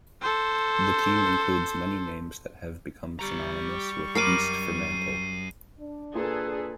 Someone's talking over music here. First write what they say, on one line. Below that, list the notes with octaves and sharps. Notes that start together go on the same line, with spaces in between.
The team includes many names that have become synonymous with East Fremantle.
A4 C5
G3 G4 A#5 C#6
F#2 A#4 B5 D6 C7 D#7
D4
A#2 G#4 A4 B4